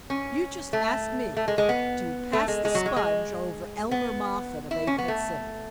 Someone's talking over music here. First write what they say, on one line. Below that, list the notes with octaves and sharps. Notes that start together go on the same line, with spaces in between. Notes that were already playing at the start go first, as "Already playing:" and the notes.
You just ask me to pass the sponge over Elmer Moffatt of Apex City?
C#4
A3
A3
G#3
G#3
B3
A3
G#3
G#3
F#3
G#3
G#3
B3
E4
C#4
B3
A3